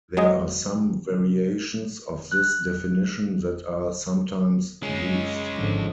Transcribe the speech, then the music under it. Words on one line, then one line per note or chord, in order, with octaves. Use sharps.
There are some variations of this definition that are sometimes used.
F#3 G#3 G#4 D#5
F#6
F#2 G#3 C#4
G#1 D3 F3